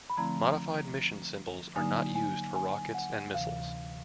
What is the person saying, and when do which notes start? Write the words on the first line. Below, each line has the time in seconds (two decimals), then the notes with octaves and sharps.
Modified mission symbols are not used for rockets and missiles.
0.10 B5
0.17 D3 F3 A3 C4 E4 A#5
1.76 D3 F#3 A#3 D#4 G#5
2.15 G#5
2.56 G#5
2.94 F#5
3.34 D2 C3 E3 F5